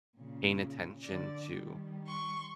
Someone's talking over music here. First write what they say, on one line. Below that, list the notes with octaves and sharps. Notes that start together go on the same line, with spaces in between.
paying attention to
A#2 C#3
D3 D5
D#3 G3
C6 C#6